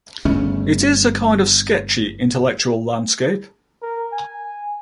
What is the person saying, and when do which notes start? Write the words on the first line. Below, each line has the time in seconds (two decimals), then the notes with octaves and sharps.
It is a kind of sketchy intellectual landscape.
0.25 G1 C#3 A3 C#4
3.82 A#4
4.12 G#5